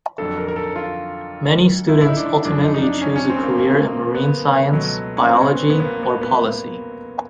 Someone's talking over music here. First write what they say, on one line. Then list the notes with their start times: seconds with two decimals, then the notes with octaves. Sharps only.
Many students ultimately choose a career in marine science, biology, or policy.
0.18 F2 D3 F#3 A4
0.38 A#4
0.48 A#4
0.56 A4
0.76 F4
1.89 E4
2.01 E4
2.09 D#4
2.17 D4
2.45 F#2 C#3 F3 D4
2.64 D#4
2.74 D#4
2.82 D4
3.01 C#4
3.16 C#4
3.30 C4
3.43 A#3
3.58 A#3
4.15 B3
4.71 C#2 B2 F#3 A3
5.17 C#4
5.27 C4
5.41 C#4
5.55 B3
5.70 B3
5.80 B3
5.84 A#3
6.03 B3
6.21 B3